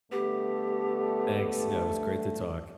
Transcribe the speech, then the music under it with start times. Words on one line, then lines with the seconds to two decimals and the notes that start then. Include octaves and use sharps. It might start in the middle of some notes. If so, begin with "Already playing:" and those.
thanks. Yeah, it was great to talk.
0.12 G2 D3 A3 B3 G4